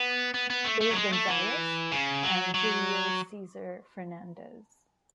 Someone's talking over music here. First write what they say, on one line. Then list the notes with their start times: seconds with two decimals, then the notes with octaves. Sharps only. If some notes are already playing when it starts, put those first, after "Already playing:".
A. Gonzalez, and Julio Cesar Fernandez.
Already playing: B3
0.34 B3
0.50 B3
0.65 A3
0.81 A3
0.90 F#3
0.96 G#3
1.12 A3
1.28 E3
1.92 C#3
2.23 F#3
2.54 F#3